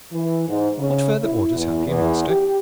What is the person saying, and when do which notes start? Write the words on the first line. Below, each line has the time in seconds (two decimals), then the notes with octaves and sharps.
What further orders have you, Master?'
0.12 E3
0.49 G#2
0.79 C#3
1.24 E4
1.55 E2
1.87 E2
2.28 G4